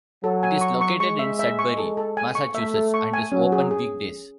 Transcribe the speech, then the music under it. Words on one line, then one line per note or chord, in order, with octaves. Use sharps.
It is located in Sudbury, Massachusetts and is open weekdays.
F#3 A4
G#5
C#6
C#6
G#3 C#6
E5
E5
C#6
A4
A4
G#5
C#6
A3 E5
A4
C#6
G#5
F#3 C#4
G#4
G#4